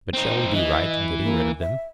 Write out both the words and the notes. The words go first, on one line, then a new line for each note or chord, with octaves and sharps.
But shall we be right in getting rid of them?
C4 D#4
E3 D#5
A#3
E5